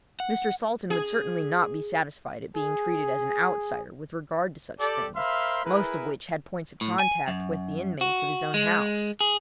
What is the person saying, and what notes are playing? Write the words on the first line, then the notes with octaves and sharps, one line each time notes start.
Mr. Salton would certainly not be satisfied at being treated as an outsider with regard to such things, most of which had points of contact with the inmates of his own house.
F#5
G#4
G#4
G4 A4 D5
A#4 C5 E5 F5 B5 C6
E4 G#4 A#4 B4
A2
G#5
F#2
F#4
G#3
G#4